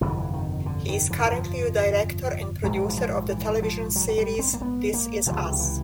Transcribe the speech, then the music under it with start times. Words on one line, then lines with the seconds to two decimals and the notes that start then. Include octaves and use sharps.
He is currently a director and producer of the television series "This Is Us".
0.01 G1 F2 C3 E3
0.09 D#3
0.18 E3
0.33 D#3
0.66 D3
0.88 D#3
1.10 E3
1.18 D#3
1.26 E3
1.33 F3
2.63 A#1 G#2 F#3
2.89 E3
2.97 F3
3.30 E3
3.62 F3
3.96 F#3
4.08 F#3
4.18 G3
4.39 C4
4.53 A#3
4.62 B3
4.93 A#3
5.26 C#2 C3 F3
5.52 D#3
5.59 E3